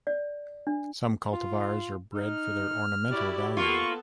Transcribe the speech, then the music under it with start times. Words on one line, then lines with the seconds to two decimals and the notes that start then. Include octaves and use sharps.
Some cultivars are bred for their ornamental value.
0.07 D5
0.67 D4
1.33 F4
2.14 D#4 F6
3.10 E4 F#4 G4 D5
3.57 A#3 B3 F4 A4 C#6